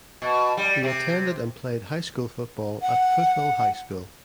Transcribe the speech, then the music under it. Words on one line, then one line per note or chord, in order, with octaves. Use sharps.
He attended and played high school football at Foothill High School.
B2
G3
C3
F#5